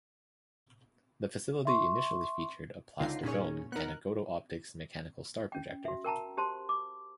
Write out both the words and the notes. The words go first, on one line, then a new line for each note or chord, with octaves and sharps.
The facility initially featured a plaster dome and a Goto Optics mechanical star projector.
E5 C6 C#6
C#2 D3 D#4 F4 C7
A#2 D#3 C#4 G#4 C#5
B3 D#4 A#4 F#6
C#4 G5
F#4 E5
A#4 G5 A5 A#5
G4 C5 A5 C6
D6